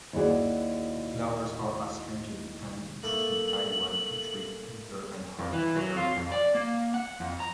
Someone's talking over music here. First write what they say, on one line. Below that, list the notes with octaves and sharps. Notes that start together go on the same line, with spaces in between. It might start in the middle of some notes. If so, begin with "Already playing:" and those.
The flowers are astringent and used in Taiwan to treat fever and halt diarrhea.
D#2 E4 F#4 G#4 D5
A3 A#3 F#7
F2
E3
F#3
F4
F2
D5
A#3
F#5
F2
A#5